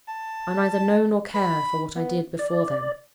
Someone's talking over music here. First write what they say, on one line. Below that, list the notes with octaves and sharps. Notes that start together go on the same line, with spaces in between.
I neither know nor care for what I did before then.
A5
B5
B3
D5